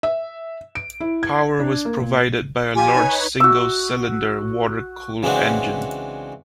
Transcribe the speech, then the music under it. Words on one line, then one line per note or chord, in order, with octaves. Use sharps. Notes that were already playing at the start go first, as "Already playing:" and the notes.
Power was provided by a large single-cylinder water-cooled engine.
E5
D7
E4
G#6
D4
A#3
A#2
F3 F4 G4 G#5
D#4 B4 C#5
F#4 E6
C#3 E3 G#3 C4 D4 F#4